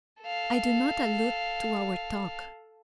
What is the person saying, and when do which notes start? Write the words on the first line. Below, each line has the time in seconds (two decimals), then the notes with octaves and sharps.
"I do not allude to our talk."
0.22 A4 F5